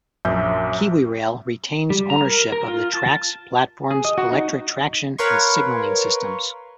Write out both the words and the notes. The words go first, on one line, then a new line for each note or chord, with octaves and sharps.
KiwiRail retains ownership of the tracks, platforms, electric traction and signalling systems.
A#1 F#2 E5 G6
G3
A#5
A#4
A#4
F4
A5
G#4
D#5
F#4
D#4
A#4 B4 C#5 F5 C6 C#6